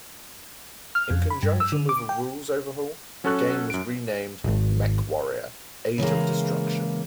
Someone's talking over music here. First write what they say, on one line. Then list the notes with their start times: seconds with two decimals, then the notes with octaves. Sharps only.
In conjunction with a rules overhaul, the game was renamed "MechWarrior: Age of Destruction".
0.95 F6
1.10 F2
1.30 B5
1.43 G2
1.60 E6
1.72 D3
1.89 D6
2.09 G5
3.24 F#3 C#4 F#4 A4 C#6 F#6
3.70 F#2 D7
4.44 D1 G#1
5.98 C#3 E3 G#3 A#3